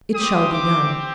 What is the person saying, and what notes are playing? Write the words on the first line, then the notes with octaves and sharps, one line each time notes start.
"It shall be done!"
C4 G4 D#6
D6